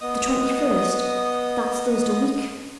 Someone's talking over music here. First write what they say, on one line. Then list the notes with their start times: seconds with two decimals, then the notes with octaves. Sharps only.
'The twenty-first--that's Thursday week.
0.01 B3 D#5 D#6